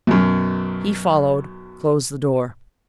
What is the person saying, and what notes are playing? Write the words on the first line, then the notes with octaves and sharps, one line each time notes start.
He followed, closed the door.
B1 F#2